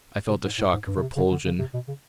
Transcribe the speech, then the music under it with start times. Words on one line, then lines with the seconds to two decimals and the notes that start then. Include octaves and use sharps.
I felt a shock of repulsion.
0.29 C3
0.44 G#2
0.58 A2
0.73 G#2
0.88 G2
0.96 C#3
1.01 C3
1.16 C#3
1.31 D3
1.46 C#3
1.59 C3
1.74 B2
1.88 C#3